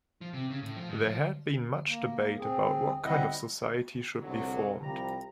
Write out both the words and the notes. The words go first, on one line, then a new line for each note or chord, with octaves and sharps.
There had been much debate about what kind of society should be formed.
F3
C3
C#3
A2
F3
G#2
F3
A#3
C4 G#4
G3 C4 E4 D#5 E5 F#5
C2 F2 D3 F#3
C2 F3 G3 A#5